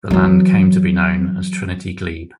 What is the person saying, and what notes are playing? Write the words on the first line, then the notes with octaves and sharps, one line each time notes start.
The land came to be known as "Trinity Glebe".
E3 F#3